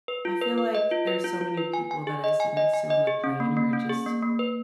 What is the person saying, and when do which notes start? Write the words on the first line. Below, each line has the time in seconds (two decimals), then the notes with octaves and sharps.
I feel like there's so many people that I sit next to on the plane who are just
0.08 B4
0.25 F4
0.41 B4
0.58 B4
0.75 D#5
0.91 F4
1.07 B4
1.24 F4
1.41 F4
1.57 B4
1.73 G#5
1.91 G#5
2.07 G#4
2.24 D#5
2.40 G#5
2.57 D#5
2.74 G#5
2.90 D#5
3.07 G#4
3.24 C#4
3.40 A#3
3.57 A#3
3.73 C#4
3.89 G#4
4.06 A#3
4.23 A#3
4.39 B4